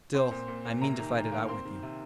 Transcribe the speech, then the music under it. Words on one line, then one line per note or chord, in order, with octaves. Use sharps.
Still I mean to fight it out with you.
C4 C5
A#2
A#2
A#2
C3 A#5
D#3
D#3
A#3
C4 C6
D#3
C3